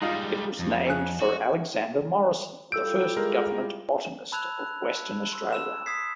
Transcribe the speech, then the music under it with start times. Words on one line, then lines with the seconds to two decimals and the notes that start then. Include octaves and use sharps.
It was named for Alexander Morrison, the first Government Botanist of Western Australia.
0.02 G3 G#3 D#4 F4
0.59 F2
0.87 C#4 G#4 F#6
1.21 F#4
2.72 G3 E4 F4 A4 E6 G6 D7
3.17 G#3 A#4
4.32 A5 B5 E6 F#6 G#6 F7
4.59 F#6
5.33 C6 E6
5.53 E6 E7
5.86 D#6 G#6 B6 C7